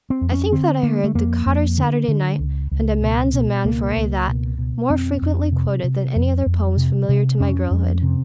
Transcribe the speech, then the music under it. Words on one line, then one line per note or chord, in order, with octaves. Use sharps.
I think that I heard the "Cotter's Saturday Night" and "A man's a man for a' that" more frequently quoted than any other poems familiar to my girlhood.
C4
F2
C#4
D3 C4
D3 A#3
A3
F2 A#3
F2
D3
D3
C#2
C#2
B2
B2
C#2 A#3
C#2
B2
B2
F2 C4
F2
C3
C3
F2
F2
C3
C3
F2 C#4
F2
C3